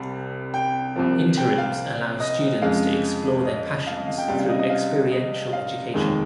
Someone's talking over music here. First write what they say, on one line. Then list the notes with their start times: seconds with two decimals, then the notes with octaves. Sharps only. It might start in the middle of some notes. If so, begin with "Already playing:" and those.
Interims allow students to explore their passions through experiential education.
Already playing: C2 C3 G3
0.54 G5
0.96 C2 C3 F3
1.37 G5
1.58 F5
2.20 D#5
2.62 F2 C#3 G#3 F5
3.45 D#5
3.87 F5
3.97 D#5
4.07 F5
4.18 G5
4.28 C#2 C3 G3 F5
4.39 F5
4.49 D#5
4.59 D#5
4.70 F5
5.12 D#5
5.53 F5
5.94 F1 D#2 D#3 G#3